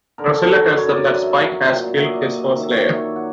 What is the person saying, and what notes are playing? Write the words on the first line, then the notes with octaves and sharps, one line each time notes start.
Drusilla tells them that Spike has killed his first Slayer.
D3 A#4
A4
F#3
A#4
F#2 C#5
D5
F#2 D#5
E5
F#3
A#2
F#3 E5
D#5
D5
A#2 D#5
D#3 E5
C#5
D5
F#3
C#5
F#5